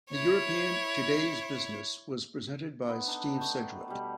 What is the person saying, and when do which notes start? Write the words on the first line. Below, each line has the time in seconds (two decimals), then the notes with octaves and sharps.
The European "Today's Business" was presented by Steve Sedgwick.
0.10 E4 C#5
2.87 B3 D#4
3.07 D4 D#4 A4
3.37 A3 G5
3.88 B2 G3